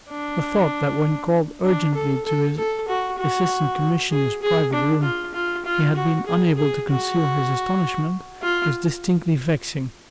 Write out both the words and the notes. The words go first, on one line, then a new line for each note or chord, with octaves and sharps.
The thought that when called urgently to his Assistant Commissioner's private room he had been unable to conceal his astonishment was distinctly vexing.
D4
D4
A4
A4
A4
F#4
F#4
G#4
G#4
D4
F4
F4
F4
F#4
G#4
G#4
F#4
F4